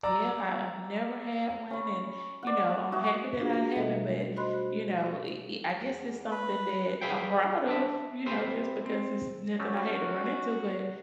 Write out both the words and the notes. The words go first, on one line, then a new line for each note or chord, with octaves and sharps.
Yeah, I I've never had one and, you know, I'm happy that I haven't, but, you know, i i I guess it's something that I'm proud of, you know, just because it's nothing I had to run into, but
D5 A#5 E6
C#4 B5
D5 F#5
F#4 G#4 E5
D4 F4 F#4 G#4
B2 G3 A3 A4 D#5 E5
F#4 C5 D#5 B5 C6 F#6
E2
B4
G#4 B4 E5 F5 G5
D4 E5
C4 G4 B4 C5 E5
C4
F#3 G3 A3 C#4 F#4